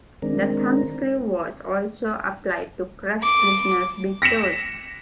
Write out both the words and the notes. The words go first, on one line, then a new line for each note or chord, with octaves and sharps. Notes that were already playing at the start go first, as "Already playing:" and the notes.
The thumbscrew was also applied to crush prisoners' big toes.
D#3 G#3 C4 D4 A#4
D6
A#6 B6 C#7 E7